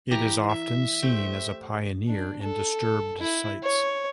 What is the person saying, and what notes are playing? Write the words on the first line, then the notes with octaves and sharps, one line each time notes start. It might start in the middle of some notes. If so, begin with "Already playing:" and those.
It is often seen as a pioneer in disturbed sites.
E3 G4 A#5
E5
A3 G4 C5
D4
A4
E4
C#5